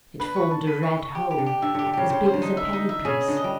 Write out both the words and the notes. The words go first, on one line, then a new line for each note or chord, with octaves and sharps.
It formed a red hole, as big as a penny piece.
D3 B4
C#6
A5
B4
C#6
C#6
G4
G4
D3
G4
D3 E5
D3 G4
D3
C#3 G4
C#3 C5
C5
D3
D#4
E5
D#4
E5
C#3 G#4
D#5
D3
D#5
G3